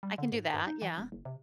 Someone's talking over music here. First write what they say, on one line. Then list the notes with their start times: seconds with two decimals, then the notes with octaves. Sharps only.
I can do that, yeah.
0.03 G3
0.18 D3
0.32 G#2
0.54 G2
0.67 D#4
0.82 E3
0.98 E1
1.12 F#1
1.25 C3